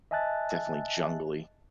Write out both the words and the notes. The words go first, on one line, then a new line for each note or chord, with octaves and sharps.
definitely jungly.
D#5 E5 G#5 A5 F#6 A6